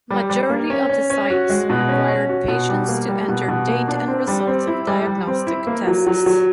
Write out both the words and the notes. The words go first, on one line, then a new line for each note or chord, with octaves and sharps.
Majority of the sites required patients to enter date and results of diagnostic tests.
G3
G3
A#3
C#4
C#4
C#4
F#4
G#3
B2
C#4
C#4
F#4
B2
G3
A#3
G3
B2
B2
A#3
D4
C4
G3
C4
E4
G3
G3
C4
E4
A#3
F#3
F#3
F#3